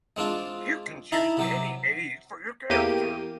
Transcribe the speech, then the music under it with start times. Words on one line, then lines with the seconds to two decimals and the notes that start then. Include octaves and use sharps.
You can choose any age for your character.
0.17 G#3 C4 D4 F4
1.12 D#4 E4 A5 B5
1.37 C3 F#3 G4
2.70 E2 A#3 G4 D#7